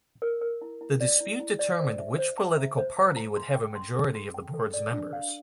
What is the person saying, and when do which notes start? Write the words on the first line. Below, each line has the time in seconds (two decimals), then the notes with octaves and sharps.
The dispute determined which political party would have a majority of the board's members.
0.22 A#4
0.41 A#4
0.61 E4
0.81 E4
1.01 D5
1.20 E4
1.40 E4
1.59 D5
1.79 C5
1.99 E5
2.18 C5
2.38 A#5
2.58 E5
2.77 C5
2.97 A#5
3.16 A#5
3.36 C6
3.56 G5
3.75 C6
3.95 A4
4.15 C6
4.34 G5
4.54 A4
4.73 D5
4.93 D4
5.13 F5